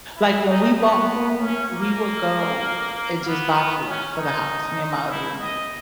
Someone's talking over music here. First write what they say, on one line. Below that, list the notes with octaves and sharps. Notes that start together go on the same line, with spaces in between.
like, when we bought food, we would go and just buy food for the house, me and my other roommate,
E4
D#4
B3
C#4
A#3
B3
C#4
D#4
E4
D#5